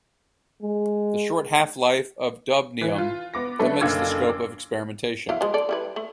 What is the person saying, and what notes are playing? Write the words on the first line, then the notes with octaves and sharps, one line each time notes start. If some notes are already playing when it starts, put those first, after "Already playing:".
The short half-life of dubnium limits the scope of experimentation.
G#3
E3
F4
B3 D6 A#6
F#3 A3 D4 A4 B4
F#1 D3 F5 D6 E6 G#6
D6
F#3 E4 F5
F3 G#3
A4 D5
G3 E4 B4
A3